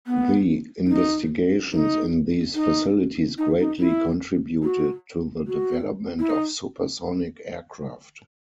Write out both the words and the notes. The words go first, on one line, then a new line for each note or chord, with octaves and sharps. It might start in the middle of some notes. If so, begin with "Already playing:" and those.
The investigations in these facilities greatly contributed to the development of supersonic aircraft.
B3
E4
D#4
D#4
D#4
D#4
D#4
E4
F#4
F#4
E4
D#4